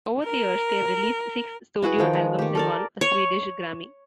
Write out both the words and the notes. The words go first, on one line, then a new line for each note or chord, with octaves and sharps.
Over the years they have released six studio albums and won a Swedish Grammy.
A#4
E4 F#4 G#4 B4
D#3 F3 G5
G#3
D#3 G4
A4 A#4 D5
C#5